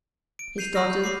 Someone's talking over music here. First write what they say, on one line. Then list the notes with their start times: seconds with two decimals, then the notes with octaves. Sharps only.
He started.
0.39 D7
0.58 G6 C7 D#7 F7
0.74 B5 D#6 F6 A#6 C7
0.90 G6
1.04 B5 D6 C7